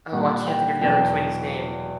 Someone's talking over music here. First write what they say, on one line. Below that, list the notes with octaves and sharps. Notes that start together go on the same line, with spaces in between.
Oh, I can't think of the other twin's name-
A#2 G3 F#5
G5
E2 B2 F#3 G5